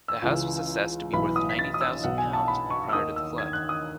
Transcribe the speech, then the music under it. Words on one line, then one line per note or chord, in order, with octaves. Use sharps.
The house was assessed to be worth ninety thousand pounds prior to the flood.
E6
C#2 C#3 E3
B1 A2 E3 B5
D#6
B6
A6
D#6
E6
B1 B2 F#5
G#5
A5
B5
C#6
E6
D#2 D#3 D#6
E6
G#6
F#6
D#6